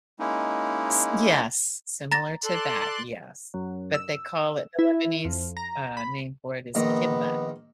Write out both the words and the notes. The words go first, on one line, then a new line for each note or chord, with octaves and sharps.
S yes, similar to that, yes, but, they call it the Lebanese, uh, name for it is "كِبّة",
G#3 A#3 C#4 D#4 E4
A#5 A6 A#6
A4 D5 C6 F#6
F#2
E6
E4
F2
A#5
B5
A#1 D#3 A#3 B3 A#5